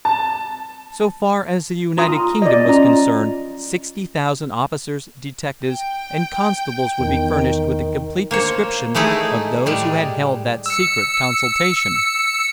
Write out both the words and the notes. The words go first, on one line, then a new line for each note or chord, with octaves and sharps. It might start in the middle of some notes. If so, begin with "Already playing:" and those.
So far as the United Kingdom was concerned sixty thousand officers, detectives and constables would be furnished with a complete description of those who had held that secret consultation.
A5
F4 A#5 C6 D#6
D5 D#5
C#4 F4 A#5
G5
E2 D#3
A#3 C5 C#5
G#3 A3 D#4 E4 G#4
A2 G3 G#3
E6 C#7